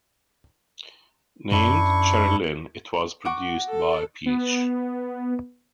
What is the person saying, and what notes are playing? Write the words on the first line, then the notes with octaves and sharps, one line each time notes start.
Named "Cheryl Lynn", it was produced by Paich.
F#2 D4 E4 C#6
F#4 C#6 D6
A4
B3